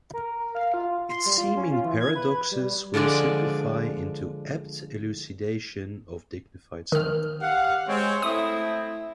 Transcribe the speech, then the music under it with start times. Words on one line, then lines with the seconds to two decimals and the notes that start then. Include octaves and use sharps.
Its seeming paradoxes will simplify into apt elucidation of dignified study.
0.14 A#4
0.55 F5
0.74 F4
1.09 C6
1.26 G3
1.38 F4
1.56 C#4
1.72 F4
1.84 E3
2.00 G#6
2.15 B4
2.51 G3
2.94 D3 F3 G#3 D4 D5
6.92 D#3 F6
7.41 G4 F5 F#5
7.87 G#3 C4 C#5
8.22 A3 C4 E4 D#6